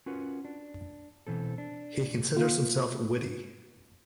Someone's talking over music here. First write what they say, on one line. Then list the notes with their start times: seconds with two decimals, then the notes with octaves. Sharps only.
He considers himself witty.
0.06 C#4 F4 F#4 A#4 B4
0.45 D4
1.27 B2 E3 C4 A4
1.58 D4
2.37 A#3 F4